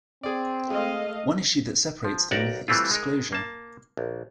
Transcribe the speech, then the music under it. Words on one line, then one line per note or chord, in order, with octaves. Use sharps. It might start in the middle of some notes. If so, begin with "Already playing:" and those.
One issue that separates them is disclosure.
C4 G#4 D5
G#3 A3 D#5 F5
F3
B1 F#4 G4 A#4 D5 F#5
E3 G3 A3 C4 E4 F4
G#3 D#4 A#4
A#3 A5
A#1